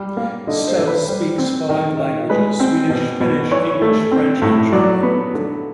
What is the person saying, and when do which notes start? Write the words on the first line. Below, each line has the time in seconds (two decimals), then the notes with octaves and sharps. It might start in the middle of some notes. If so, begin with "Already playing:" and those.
Stubb speaks five languages: Swedish, Finnish, English, French and German.
Already playing: G3
0.17 A#3 F5
0.47 D3 D#5
0.67 C5
0.78 D3
0.87 B4
1.08 G3 C5
1.38 C4
1.69 D#3
1.99 D#3
2.30 G#3 B4
2.60 C4
2.90 B2
3.20 B2
3.51 E3 C#5
3.82 A3
4.12 C4
4.42 A2
4.73 F#3 D5
5.03 B3
5.33 D3